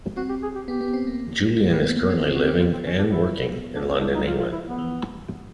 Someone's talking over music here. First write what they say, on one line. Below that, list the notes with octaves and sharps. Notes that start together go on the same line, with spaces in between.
Julien is currently living and working in London, England.
C4 F#4
G4
G#4
G4
B3 G4
B3
C4
A#3
A#3
A3 G4
B3
A#3
C4
B3 F4
C4
B3 F#4
B3 G4
F4
C4
C#4
D4
E4
D4
C#4
G3 D4
F#3 D#4
F3 F4
F4
E4
B3
E3